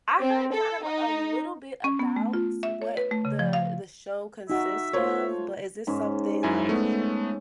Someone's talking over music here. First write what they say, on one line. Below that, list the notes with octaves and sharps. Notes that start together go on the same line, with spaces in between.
I heard kind of a little bit about what the the show consists of, but is this something like,
C4
A4
D#4
C#4
B3
A3
F4
E5
C#5
B4
A3
C#3
F3
F5
D#4 F#4 E5
A3 F4 C5 C#5
G#2 C#4
F#2 E4 G#5
A3 B3